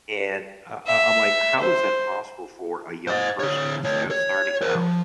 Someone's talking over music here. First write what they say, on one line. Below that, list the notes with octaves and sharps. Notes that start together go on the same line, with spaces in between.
And I I I'm like, "How is that possible for a young person who's just starting out?"
E5
C5
C5 D#5
D3 C#5
D2 C#5
C#5
A#4 C5
F3